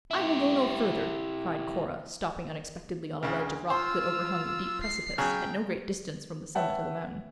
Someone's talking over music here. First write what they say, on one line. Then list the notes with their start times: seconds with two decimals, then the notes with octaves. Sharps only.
"I will go no further!" cried Cora, stopping unexpectedly on a ledge of rock, that overhung a deep precipice, at no great distance from the summit of the mountain.
0.11 E4 G4
3.23 D2 C#3
3.70 F4 C5 E6
4.83 C7
5.18 C#3 F#3 G#4 G5
6.55 B4 C#5 E5 F#5 G5 A5